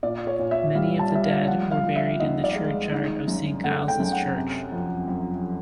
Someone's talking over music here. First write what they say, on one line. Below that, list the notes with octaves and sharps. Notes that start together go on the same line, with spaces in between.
Many of the dead were buried in the churchyard of Saint Giles' Church.
A#2 D5
C#5
A#2
E5
G3 F5
A5
G3 E5
F5
F3 F#5
F5
F3
E5
D#2 D#5
D5
G#3
D#3
F#2
A3 F#5
G5
F#2
F#5
C3
F2
F2